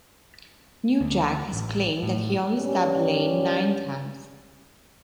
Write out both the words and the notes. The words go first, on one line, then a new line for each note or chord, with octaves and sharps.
New Jack has claimed that he only stabbed Lane nine times.
D2
A1
A2
G2 G3 C#4